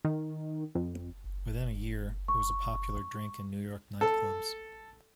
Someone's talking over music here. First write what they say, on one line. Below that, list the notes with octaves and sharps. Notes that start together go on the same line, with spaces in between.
Within a year, it was a popular drink in New York night clubs.
D#3
F2
C#6
A4